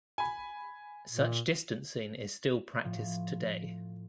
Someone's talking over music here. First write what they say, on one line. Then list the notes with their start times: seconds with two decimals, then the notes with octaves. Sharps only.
Such distancing is still practiced today.
0.18 G#5 B5
1.11 A#2
2.84 A2 F3